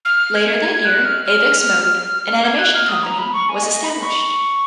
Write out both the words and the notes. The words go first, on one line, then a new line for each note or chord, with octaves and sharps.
Later that year "Avex Mode", an animation company, was established.
F6
G#6
G#6
F#6
F6
F6
G#6
F#6
F6
D#6
A#5
B5
C#6
G#5
D#5
B5
C#6